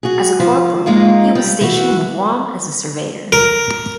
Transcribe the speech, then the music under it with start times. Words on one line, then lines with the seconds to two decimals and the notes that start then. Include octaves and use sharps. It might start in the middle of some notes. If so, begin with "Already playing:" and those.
As a corporal, he was stationed in Guam as a surveyor.
0.03 F#4 G#4
0.40 F3
0.86 G#3 A#3 D#4 F4
1.35 G3
1.61 E3 F#4
3.32 A#4